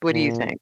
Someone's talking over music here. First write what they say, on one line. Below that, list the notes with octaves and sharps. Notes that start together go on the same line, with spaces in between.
What do you think?
A#2